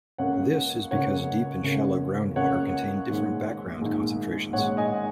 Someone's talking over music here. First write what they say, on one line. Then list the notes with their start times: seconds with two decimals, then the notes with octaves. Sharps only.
This is because deep and shallow groundwater contain different background concentrations.
0.18 C#2 C#3 A#3 C#5 F#5
0.91 C#2 C#3 A#3 C#5 F#5
1.64 C#2 C#3 A#3
2.36 C#2 C#3 A#3 C#5 F#5
3.09 A#1 G#2 D#3 G#3
3.81 A#1 G#2 D#3 G#3
4.53 A#1 G#2 D#3 G#3 C#5 F#5
4.77 D#5 G#5